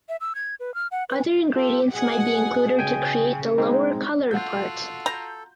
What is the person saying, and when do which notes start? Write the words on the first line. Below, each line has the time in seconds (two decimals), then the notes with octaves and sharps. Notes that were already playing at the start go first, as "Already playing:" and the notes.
Other ingredients might be included to create the lower coloured part.
0.09 E5
0.21 E6
0.35 G#6
0.60 B4
0.75 F6
0.91 F#5
1.09 B4
1.55 F4 G4 A4
1.94 B2 G#4 F#5 G#5
2.79 C#3 G5 G#5
3.58 G#3 C4 D#4
4.31 F4 F#4 A4 F#5 G6
5.06 A#5 G6